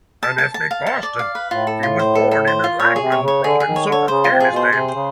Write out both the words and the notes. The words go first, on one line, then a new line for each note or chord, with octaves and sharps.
An ethnic Pashtun, he was born in the Laghman Province of Afghanistan.
A5
A5
A5
F5
A5
D5
F5
B4
A2 F4
A4
F4
C5
A4
A4
C5
F4
A#2 C#5
G#4
C3
C#5
C#3
C#5
D3 G#4
G#4
D#3
C#5
D3
C#5
C#3 C5
C3 F4
G#4
B2 C5
C3 G#4
C5
C#3